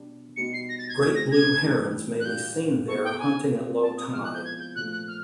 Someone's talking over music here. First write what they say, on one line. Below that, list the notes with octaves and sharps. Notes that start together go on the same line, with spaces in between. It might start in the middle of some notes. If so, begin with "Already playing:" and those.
Great blue herons may be seen there hunting at low tide.
Already playing: B2 F#3 B3 D4 G4
B2 G3 B3 D#4 F#4 C#7
C7
A#6
A6
G#6
F#3 A3 C4 E4 G#6
A#6
G#6
A2 E3 G3
F#6
A#2 G3 A#3 G6
F#3 B3 E4 A4 C#6
G5
G#5
A#2 G3 C4
A5
D#6
F3 G#3 B3 E4 F6
F#6
G6
G#6
G6
A#2 F3 A3 F#6
F#6
F6